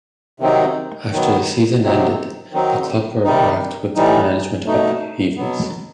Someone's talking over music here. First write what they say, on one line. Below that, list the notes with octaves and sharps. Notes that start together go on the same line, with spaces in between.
After the season ended, the club were wracked with management upheavals.
C3 D#3 F#3 C4 D#4
D#3 F#3 B3
C3 F#3 C4 D#4
D#3 F#3 C4 D#4
C3 D#3 G3 D#4
A2 E3 G3 D#4
B2 A3 D#4
B2 F#3 B3